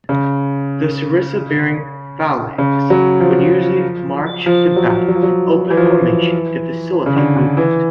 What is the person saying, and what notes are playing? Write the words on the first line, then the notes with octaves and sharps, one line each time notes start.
The sarissa-bearing phalanx would usually march to battle in open formation to facilitate movement.
C#3
C#3
F#3
F3
F3
F#3
F#3
F3
F#3
E3
F3
E3
C#3
D3
D3
E3